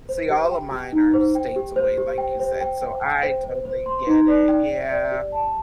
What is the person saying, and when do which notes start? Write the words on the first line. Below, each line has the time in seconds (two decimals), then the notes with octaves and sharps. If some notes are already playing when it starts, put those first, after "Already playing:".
See, all of mine are states away like you said, so I totally get it Yeah,
0.09 C5
0.30 G4
0.51 G5
0.72 G4
0.93 D#4
1.14 C5
1.35 G5
1.56 G4
1.76 C5
1.98 G4
2.18 G5
2.40 C5
2.61 G5
2.81 G5
3.01 G5
3.23 C5
3.44 C5
3.65 C5
3.86 C6
4.07 D#4
4.28 D5
4.48 G5
4.70 G5
4.91 D5
5.12 G4
5.32 A5